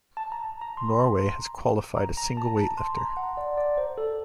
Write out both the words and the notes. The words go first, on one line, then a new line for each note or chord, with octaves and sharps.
Norway has qualified a single weightlifter.
A5
A#5
A#5
C6
A#5
A#5
A5
A5
C6
A#5
F#5
D5
D5
C5
A4